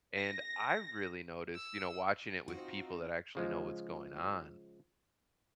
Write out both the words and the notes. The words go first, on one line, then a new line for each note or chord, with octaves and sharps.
And I really noticed, you know, watching it with people that actually know what's going on,
A#6
E6
C4 D#4 F4 F#4
C#3 F3 G#3